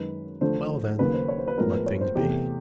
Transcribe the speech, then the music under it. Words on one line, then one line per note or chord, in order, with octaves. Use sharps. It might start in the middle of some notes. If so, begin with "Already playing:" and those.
'Well, then, let things be.'
Already playing: F#2 D#3 G#3 B4
D2 D3 F3 A3 C5
D#2 C#3 F#3 A#3 B4
C5
C#5
C5
B4
A2 F3 G#3 B3 A#4
B4
C#5
C5
E2 C3 E3 A3 G4